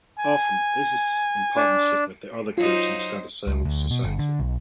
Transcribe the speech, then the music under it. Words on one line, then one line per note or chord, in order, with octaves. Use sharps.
Often, this is in partnership with other groups in Scottish civil society.
G#5
D4
F#3 D#4 F4 C5
C#2
D2
B2
G1
D3
B1